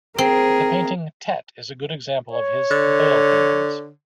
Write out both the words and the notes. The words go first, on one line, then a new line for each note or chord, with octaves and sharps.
The painting "Tet" is a good example of his "Veil Paintings".
C4 G#4 A#4
C#5
D3